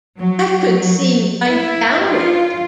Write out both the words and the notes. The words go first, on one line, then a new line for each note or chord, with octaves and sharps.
I could see right down it.
F#3
E4
F4